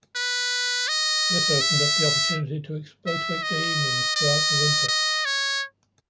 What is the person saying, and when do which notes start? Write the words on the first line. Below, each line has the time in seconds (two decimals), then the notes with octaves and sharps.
This opened up the opportunity to exploit weekday evenings throughout the winter.
0.15 B4
0.88 D#5
1.61 E5
3.06 E5
3.43 D#5
4.16 D#5
4.88 D#5
5.25 C#5